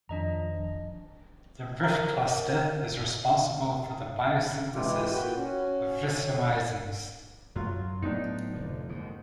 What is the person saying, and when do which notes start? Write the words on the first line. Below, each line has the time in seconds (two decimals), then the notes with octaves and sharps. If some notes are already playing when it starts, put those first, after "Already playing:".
The "rif" cluster is responsible for the biosynthesis of rifamycins.
0.09 F2 D#3 F3 D4 D#5 A#5
1.83 A#4
4.74 E3 G#3 E4 F4 G4
5.12 A#2 F#4 B4 G5
5.36 C#4 F#4
7.56 F#2 F#3 F4
8.02 A2 F#3 B3 D4 D#4
8.53 F1 D3 F3
8.89 D#2 G#2